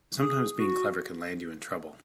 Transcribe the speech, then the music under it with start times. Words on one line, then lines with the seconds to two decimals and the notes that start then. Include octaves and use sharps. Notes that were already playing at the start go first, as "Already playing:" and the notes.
Sometimes being clever can land you in trouble.
0.20 G#4
0.59 F#4